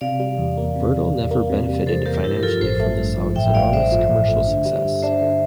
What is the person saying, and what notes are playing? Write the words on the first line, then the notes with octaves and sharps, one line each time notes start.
Verdal never benefited financially from the song's enormous commercial success.
C3 D5 F5
G3
E2
A#3
C3
G3
E2
A#3
C3
G3
E2 A4 C5
A#3 G4 A#4
G2 E4 G4
A#4
F3 F4 A4
A1 A4 C5
A3
G2
F3
A1 E5 G5
A3 D5 F5
G2 C5 E5
F3
A1
A3
D3
G3
G2
D4 C5 E5
D3